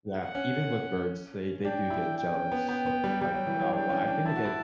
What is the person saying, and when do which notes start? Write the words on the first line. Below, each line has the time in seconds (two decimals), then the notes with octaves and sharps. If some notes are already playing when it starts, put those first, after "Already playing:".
Yeah, even with birds, they they do get jealous. Like, I'll I think they get
0.08 F#5
0.35 C#4
1.65 D4 G5
1.90 E4
2.17 G5
2.35 C#4
2.52 B3
2.69 B3 G5
2.86 B3
3.04 G3
3.21 G3 G5
3.34 F#3
3.47 E3
3.60 F#3
3.73 D4 G5
3.90 C#4
4.08 D4
4.26 E4 A5
4.36 F#4
4.45 E4